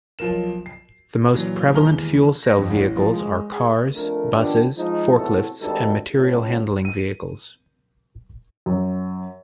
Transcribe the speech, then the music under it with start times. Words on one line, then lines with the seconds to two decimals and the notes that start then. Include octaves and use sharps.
The most prevalent fuel cell vehicles are cars, buses, forklifts and material handling vehicles.
0.19 B1 F3 F4 A#4 E7
0.66 C7
1.34 A#2 E3 F#3
1.74 E1 D#2 E3 A#5 F6 G7
2.43 A#6
2.58 F2
2.70 A1
2.96 F3
3.14 G#3
3.52 G#4
3.95 F2 D3 A3 A#4
4.32 D#3 F3 G3 B3 D4
4.76 F3 G#3 D#4
5.16 E2 A2 C3 F#4 A4
5.60 G#1 D2 G2 G3 D#4 A4
6.14 C#2 A2
6.85 D#7
8.66 F#2